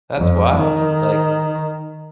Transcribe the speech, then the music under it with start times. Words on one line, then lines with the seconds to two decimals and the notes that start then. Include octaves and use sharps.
That's wild, like,
0.17 F2
0.57 D#3